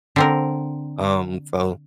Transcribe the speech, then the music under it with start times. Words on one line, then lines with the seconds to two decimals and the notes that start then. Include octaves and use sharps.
Um, so
0.16 D3 C4 A#4